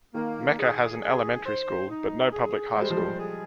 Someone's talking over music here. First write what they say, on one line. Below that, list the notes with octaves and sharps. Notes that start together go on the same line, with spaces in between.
Mecca has an elementary school, but no public high school.
D#3 A#3
G#4
G#4
C5
D#4
G#4
G#3 C5
G3
F3
G3
G#4